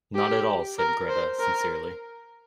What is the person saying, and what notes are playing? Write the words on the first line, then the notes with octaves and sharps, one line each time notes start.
"Not at all," said Greta sincerely.
G4
A#4
C5
A#4